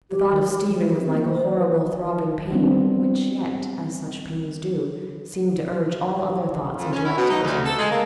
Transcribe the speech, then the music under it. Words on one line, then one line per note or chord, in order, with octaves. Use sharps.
The thought of Stephen was like a horrible throbbing pain, which yet, as such pains do, seemed to urge all other thoughts into activity.
G4
D#3
G4
F3
C4
A#3
C5
D5
B4
G3 B3 C4 D4
F2
C#4
E4
B2
D#4
D2
A4
G#3
A#3